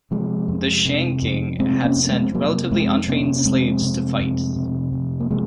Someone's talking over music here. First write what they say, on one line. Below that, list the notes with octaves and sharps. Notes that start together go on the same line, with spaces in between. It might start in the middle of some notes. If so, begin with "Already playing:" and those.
The Shang King had sent relatively untrained slaves to fight.
C3 F3 G#3
F2
C3
F2
C3 G#3 C4
A#3 C#4
F2
A#3
G#3 C4
C3 F#3 A#3
F2 G#3 C4
C3 A#3 C#4
C#4
F2 G#3 C4
C3
F2
C3
F2
A#3
C3 F3 G#3